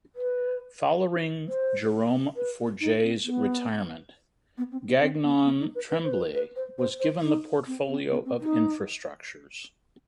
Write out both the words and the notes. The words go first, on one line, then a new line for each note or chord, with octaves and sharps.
Following Jerome-Forget's retirement, Gagnon-Tremblay was given the portfolio of Infrastructures.
B4
C5
B4
D#4
C4
B3
B3
C4
B3
C4
B3
B3
D#4
B4
B4
C5
B4
B4
C5
C5
C5
D#4
C4
C4
B3
C4
D#4